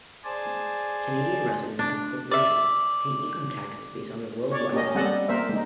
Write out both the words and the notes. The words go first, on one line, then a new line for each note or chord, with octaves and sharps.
Canadian residents and corporations pay income taxes based on their world-wide income.
G#4 C5 D5 G#5 A5
D4
D5 E5
C#5 D5
A#3 C#4 G4 A#4 D#5
G3 C4 A4 D#5 F#5 A5
A#3 A#4 C5 E5
G#3 D#4